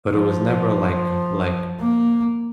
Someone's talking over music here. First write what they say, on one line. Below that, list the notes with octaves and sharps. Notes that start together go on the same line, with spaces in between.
but it was never, like uh, like,
F3
A#3